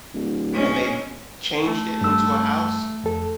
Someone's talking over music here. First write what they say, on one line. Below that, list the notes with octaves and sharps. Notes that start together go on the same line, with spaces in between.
and they m changed it into a house?
D1
G#3 C#4
A3
G2 E6
F2 A4